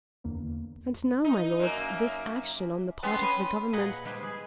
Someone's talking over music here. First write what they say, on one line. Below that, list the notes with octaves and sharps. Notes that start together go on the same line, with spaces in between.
And now, my lords, this action on the part of the Government....
E2 D3 A#3 B3
D#4
F#2 A#3
B3 C#4 G5 C6 C7
B5 D#7
A#2 G#4 B4 D#5 F#5 A#5
G3 G#3 B4 C5 G#5
G#4